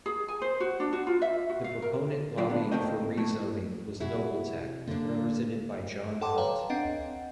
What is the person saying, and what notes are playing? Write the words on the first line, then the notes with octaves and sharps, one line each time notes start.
The proponent lobbying for rezoning was Nobletech, represented by John Hunt.
G#4
G#5
C5
F#4
D4
F#4
F4
E5
F#4
F5
A#4
D2 D3 F#3 F4 D5
B3 D4
D2 E3 A3 A#3 C4 D#5
A3 E4
C3 E4 F#4 G#4
D3 A#3 D4
A4 F#5 G5 A5 C6 D6
B4 C#5 F5 G5 A#5
C4 D4 D#5 F#5